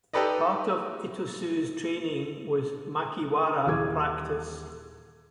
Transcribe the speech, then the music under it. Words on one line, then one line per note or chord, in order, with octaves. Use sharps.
Part of Itosu's training was makiwara practice.
D#4 G4 A4 B4 D5 D#5
D#1 E3 G#4 D6 G#6